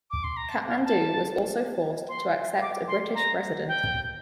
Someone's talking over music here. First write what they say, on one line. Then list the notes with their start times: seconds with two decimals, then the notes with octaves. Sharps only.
Kathmandu was also forced to accept a British Resident.
0.11 D6
0.24 C6
0.37 A#5
0.49 A5
0.68 F5
0.85 A5
2.09 C6
2.61 D6
2.88 C6
3.15 A#5
3.68 G5